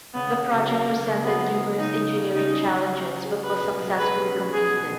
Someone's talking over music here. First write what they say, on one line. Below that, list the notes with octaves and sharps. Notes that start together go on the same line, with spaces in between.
The project presented numerous engineering challenges but was successfully completed.
C#3 B3
C#3
F#3
F#3 A#3
C#3
A#3
F#3 B3
F#3
F#3
C#3 D#4
C#3
C#3
C#4 D#4
F#3
C#4
F#3
F#3
G#4
F#3 B4
B2
F#3
G#4 B4
C#4
F#3
B3 G#4
B2